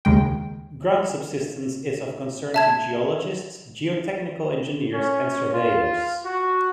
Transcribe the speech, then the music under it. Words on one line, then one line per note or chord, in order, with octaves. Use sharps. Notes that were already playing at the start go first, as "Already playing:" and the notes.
Ground subsidence is of concern to geologists, geotechnical engineers and surveyors.
D#2 C#3 G#3 G5
E5 A5 G#6
C#4
F4
F#4